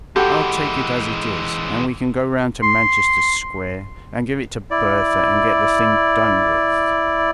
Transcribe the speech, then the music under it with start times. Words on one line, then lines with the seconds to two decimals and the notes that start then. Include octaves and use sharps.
I'll take it as it is, and we can go round to Manchester Square and give it to Bertha, and get the thing done with.
0.16 E3 G#3 F#4 G4 A4
2.63 C6
4.71 E4 D5